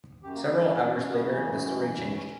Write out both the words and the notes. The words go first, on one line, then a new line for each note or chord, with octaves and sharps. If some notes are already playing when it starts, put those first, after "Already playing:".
Several hours later the story changed.
F#2 G4
A#3
C#3 B3
E3 G3
E4
F#2 D4
F#2 C#4
C#3 B3
E3 A#3
F#2 A#3
E3 G3
E3 A#3
F#2 G3
C#4